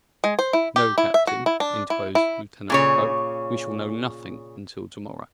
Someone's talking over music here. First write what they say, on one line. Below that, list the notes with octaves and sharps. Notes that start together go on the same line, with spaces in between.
"No, captain," interposed Lieutenant Procope; "we shall know nothing until to-morrow."
G#3
C5
E4
G4
E4
E5
F#4
E4
D4
E4
E4
A#2 C#3 C#5